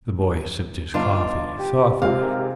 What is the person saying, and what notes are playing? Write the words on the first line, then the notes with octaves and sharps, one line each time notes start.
The boy sipped his coffee thoughtfully.
G1 D4 D#4 F4
G4
C3 G#3 F4 F5
D#3